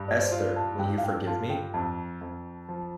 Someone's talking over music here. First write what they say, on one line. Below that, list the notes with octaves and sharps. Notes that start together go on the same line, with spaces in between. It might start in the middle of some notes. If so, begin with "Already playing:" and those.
Esther, will you forgive me?
Already playing: G2
D5
C5
F4 D5
A5
G2 G5
F5
G5
F4 A5
G5
F2 A5
F2
F3